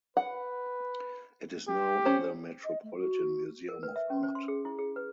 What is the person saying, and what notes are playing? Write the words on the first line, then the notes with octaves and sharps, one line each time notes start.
It is now in the Metropolitan Museum of Art.
B4 F#5
G4
C#4 C5
D#5
A3
F#4
A#4
B4
E5
C#4
C5
C6
G#4
E4
G#4
B4